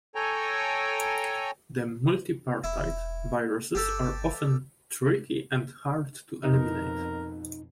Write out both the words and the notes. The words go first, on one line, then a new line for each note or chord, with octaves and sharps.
The multipartite viruses are often tricky and hard to eliminate.
A4 C#5 G5 G#5 A#5
E1 E4
G1 G4 A4
F2 B2 D#4 A#4